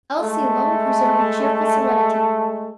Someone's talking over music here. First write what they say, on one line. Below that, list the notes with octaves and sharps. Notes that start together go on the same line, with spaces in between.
Elsie alone preserved a cheerful serenity.
G#3 A3